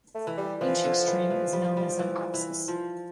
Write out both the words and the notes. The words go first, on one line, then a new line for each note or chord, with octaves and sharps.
Each extreme is known as an apsis.
A3
E3
G3
E3 F3
D3
E3
E3
G3
G3
E3
E3
F3